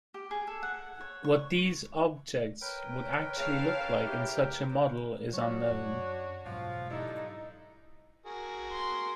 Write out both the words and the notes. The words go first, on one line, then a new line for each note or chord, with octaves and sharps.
What these objects would actually look like in such a model is unknown.
G4
G#4
A4
F#5
C#5
C#6
A#4 B4 C#5 G5
C#3 F5 A5
E4 G4
F#3 D4 F#4 C#5
F#2
G#2 B2 F3 F#3 F5
D3 G3 D#4 E4
F#4 G#4 A#4
C6